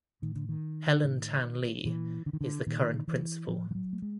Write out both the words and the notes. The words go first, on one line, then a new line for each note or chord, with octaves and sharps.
Helen Tan-Lee is the current principal.
A2 D#3
D3
D#3
A2
A#2 E3
D3
D#3
D3
A#2 D#3
E3
A2 F3
F3
F#3
A3
G#3